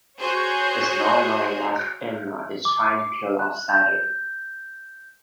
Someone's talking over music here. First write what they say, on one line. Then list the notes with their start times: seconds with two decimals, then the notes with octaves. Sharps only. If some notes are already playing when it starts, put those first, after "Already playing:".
It is not known that Ilona is trying to kill the Outsiders.
0.20 F#4 G#4 C5 C#5
2.65 D6
3.39 F#6
3.69 G6